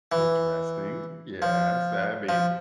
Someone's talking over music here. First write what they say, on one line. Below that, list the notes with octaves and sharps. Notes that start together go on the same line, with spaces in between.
Interesting. Yes. That'd be
E3
F3
F3